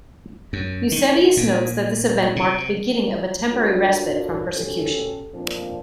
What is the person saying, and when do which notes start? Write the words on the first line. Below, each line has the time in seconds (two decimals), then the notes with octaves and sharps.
Eusebius notes that this event marked the beginning of a temporary respite from persecution.
0.53 F#2
0.92 D#3
1.37 A#2
2.36 C3
3.50 D4 F4 F#4 A4 A#4 C#5
4.55 C#4 F#4 G4 A4
5.33 F2 A#2 F3 A#3 C4 D4